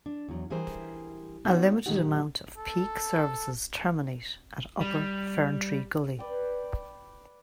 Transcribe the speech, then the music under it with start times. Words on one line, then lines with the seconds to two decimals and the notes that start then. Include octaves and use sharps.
A limited amount of peak services terminate at Upper Ferntree Gully.
0.06 D4
0.29 E2 F#3
0.50 E3 G3 E4 G#4 A#4 C5
1.45 B3 D#4 F#4 A4 C#5 F#5
1.86 A#2 D#3 F#3 D#4 G4 F#5
2.58 A4
4.81 G3
6.19 B4 D5 G5